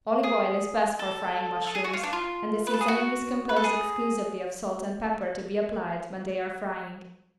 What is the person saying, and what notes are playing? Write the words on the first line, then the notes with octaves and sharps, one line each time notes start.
Olive oil is best for frying mushrooms and the seasoning is composed exclusively of salt and pepper to be applied when they are frying.
G#4
A4
A4
G#4
F#4
F4
D4
F4
B4
A4
G#4
F#4
B4
A4
G#4